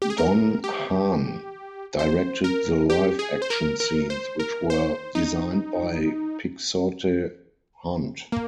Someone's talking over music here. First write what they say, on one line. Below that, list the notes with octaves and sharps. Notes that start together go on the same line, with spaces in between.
Don Hahn directed the live action scenes which were designed by Pixote Hunt.
G4
G#4
A#4
G4
C5
A#4
G4
G#4
C5
A#4
A#4
C5
A#4
C5
D#4
A#3